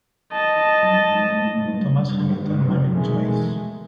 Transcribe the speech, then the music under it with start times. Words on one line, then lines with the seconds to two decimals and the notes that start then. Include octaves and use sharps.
Thomas Hamilton married twice.
0.32 D#5 A5
2.92 B2 D#3 G#3 A3